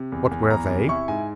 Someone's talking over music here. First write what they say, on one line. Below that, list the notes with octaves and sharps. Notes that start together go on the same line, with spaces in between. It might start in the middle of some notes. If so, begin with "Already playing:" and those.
"What were they?"
Already playing: C3
E2
E2
E2 A#5
C3
E4 C#6
G#2 G#5